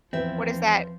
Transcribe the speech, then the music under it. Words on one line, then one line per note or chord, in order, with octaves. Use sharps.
what is that?
E2 F3 C4 B4 E5